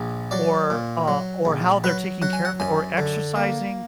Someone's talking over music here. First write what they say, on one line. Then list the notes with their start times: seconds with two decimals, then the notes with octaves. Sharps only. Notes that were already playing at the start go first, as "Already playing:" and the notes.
or, uh, or how they're taking care of them or exercising,
Already playing: A#1
0.31 F#3 D5
0.70 A#2
1.08 F#3
1.45 A#1
1.84 F#3 B4
2.22 F#3 F#5
2.33 G#5
2.45 F#5
2.60 F#2 G#5
2.97 D3
3.36 A#3